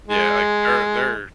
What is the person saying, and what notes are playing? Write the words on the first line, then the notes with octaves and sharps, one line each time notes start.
yeah, like, they're they're
G#3